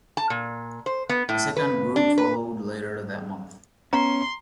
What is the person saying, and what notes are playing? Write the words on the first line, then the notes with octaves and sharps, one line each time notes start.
A second group followed later that month.
A5
A#2
C5
B3
A2
B4
D4
B4
B3 C#4 A#5 C6